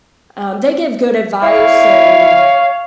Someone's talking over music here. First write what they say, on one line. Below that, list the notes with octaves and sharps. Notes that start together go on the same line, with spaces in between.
um, they give good advice, and,
E4 C#5 F5